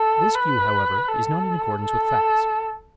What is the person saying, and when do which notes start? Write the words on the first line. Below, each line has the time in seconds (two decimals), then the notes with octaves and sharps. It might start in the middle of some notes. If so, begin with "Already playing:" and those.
This view, however, is not in accordance with facts.
Already playing: A4
0.35 B4
1.09 A4
1.82 A4